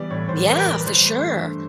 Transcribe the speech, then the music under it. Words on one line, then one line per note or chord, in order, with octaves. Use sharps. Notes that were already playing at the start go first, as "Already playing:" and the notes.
Yeah, for sure.
Already playing: E3 G3 B3 D5
A2 C#5
A2 C5
E3 A#4
B4
G3
B4
E3 C5
A3
G2
G2